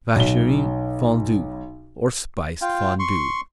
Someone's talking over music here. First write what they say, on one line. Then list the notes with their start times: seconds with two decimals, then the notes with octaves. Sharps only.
Vacherin Fondu, or Spiced Fondu.
0.16 B1 G7
2.62 F4 F5 G5
2.99 C6 C#6